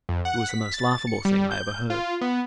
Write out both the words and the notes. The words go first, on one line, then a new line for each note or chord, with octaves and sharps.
It was the most laughable thing I ever heard.
F2
F#5
B6
A6
C#7
G3
G6
F4
B3